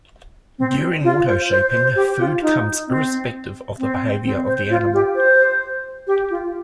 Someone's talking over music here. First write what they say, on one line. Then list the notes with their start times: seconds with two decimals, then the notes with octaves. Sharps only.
During autoshaping, food comes irrespective of the behavior of the animal.
0.59 C4
1.04 F4
1.27 C5
1.51 C5
1.73 C5
1.96 G4
2.19 F4
2.41 D#4
2.88 C4
3.79 C4
4.24 C4
4.47 C5
4.70 F4
4.94 G4
5.16 C5
6.07 G4
6.30 F4